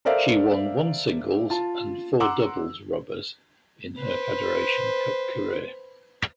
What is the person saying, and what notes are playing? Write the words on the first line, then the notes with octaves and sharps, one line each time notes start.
She won one singles and four doubles rubbers in her Federation Cup career.
A4 A#4 C5 D5 E5 F5
F4 A5
F#5 A#5 C6 D6 E6
B4 C5